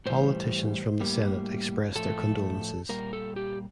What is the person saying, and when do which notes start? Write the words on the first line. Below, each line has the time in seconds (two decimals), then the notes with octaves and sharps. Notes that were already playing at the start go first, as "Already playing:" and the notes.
Politicians from the senate expressed their condolences.
0.06 A2 E3 G3 C5
1.00 A2 G3 A#3
1.95 A2 F3 A3 A4
2.89 A#2 G3 A#3 A#4
3.13 A4
3.36 G4